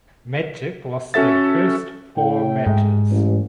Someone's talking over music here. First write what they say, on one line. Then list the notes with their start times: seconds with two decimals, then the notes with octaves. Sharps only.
Magic lost their first four matches.
1.14 C#4 F#4 A4 E5 A6
2.17 A2 G5
2.66 G#2
3.11 A1